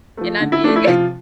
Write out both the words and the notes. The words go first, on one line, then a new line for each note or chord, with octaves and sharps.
and I'm being
F3 A3
D3
E4
F3 A3 D4
E4
C3 F3 F4